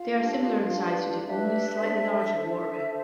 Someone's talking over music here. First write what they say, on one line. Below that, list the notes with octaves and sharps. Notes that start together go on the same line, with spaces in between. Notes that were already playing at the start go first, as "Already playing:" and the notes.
They are similar in size to the only slightly larger water rail.
Already playing: F4 F5
D4 G4 B4
D4 G4 B4
D4 G4 B4 E5
D4 A4 C5
D4 A4 C5 E5
D4 A4 C5